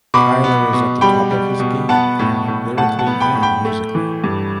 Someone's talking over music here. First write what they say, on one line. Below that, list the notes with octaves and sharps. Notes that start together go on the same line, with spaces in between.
Tyler is at the top of his game here lyrically and musically.
B2 B5 D6
B3
B2
G3 G5 B5
G3
B2
B3 F#5 A5
A2
A2
A2 F#5 A5
F#5 A5
B3
G5 B5
A2
G5 B5
A3
E3
G2